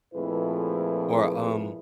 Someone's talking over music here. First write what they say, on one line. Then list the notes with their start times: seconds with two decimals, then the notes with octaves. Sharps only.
Or, um
0.14 F2 A#2 A3 E4 G#4 B4